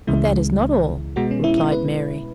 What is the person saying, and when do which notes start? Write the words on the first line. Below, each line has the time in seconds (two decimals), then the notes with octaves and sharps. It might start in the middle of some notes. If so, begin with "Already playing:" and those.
"But that is not all," replied Mary.
0.07 C#2 C#3 E3 G#3 E4
1.16 B2 G#3 B3 F#4
1.31 C#4
1.44 E4
1.58 E4
1.72 B4